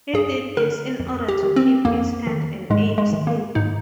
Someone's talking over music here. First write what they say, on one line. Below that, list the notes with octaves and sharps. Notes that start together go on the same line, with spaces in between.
He did this in order to keep his hand and aim steady.
G2 G#4
D3 A#4
F2
G4
D#3
C4
F2 A#3
D#3
G#2 G#3
G#3
D#3
A#3
G#2 D#4